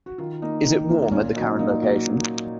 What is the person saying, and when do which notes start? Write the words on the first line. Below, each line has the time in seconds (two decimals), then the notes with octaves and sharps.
Is it warm at the current location?
0.06 F#4
0.18 D#3 F4
0.42 A#3 D#4
0.65 D#3
0.89 A#3
1.12 A#2 C#4
1.35 F#3 D#4
1.40 A#3
1.59 A#2 D#4
1.82 F#3 A#3